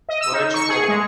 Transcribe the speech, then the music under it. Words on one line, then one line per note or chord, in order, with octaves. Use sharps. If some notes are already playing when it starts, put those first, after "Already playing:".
Where'd You Go?
D#5
E6
D#4
C#6
G#4
G#3